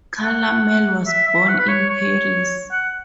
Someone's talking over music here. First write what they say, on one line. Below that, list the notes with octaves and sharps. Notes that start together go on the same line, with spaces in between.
Challamel was born in Paris.
F#5
E5
E5
F#5
B4
C#5
C#5
F#5